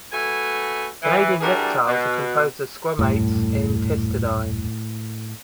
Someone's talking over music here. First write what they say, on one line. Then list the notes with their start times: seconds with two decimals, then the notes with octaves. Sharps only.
Canadian reptiles are composed of squamates and testudines.
0.13 A3 F#4 B4 E5 G#5
1.03 E3
1.41 E3 G3 D4 F#4 G#4 A#4
1.87 B2
2.99 D#1 F#2 A2 G3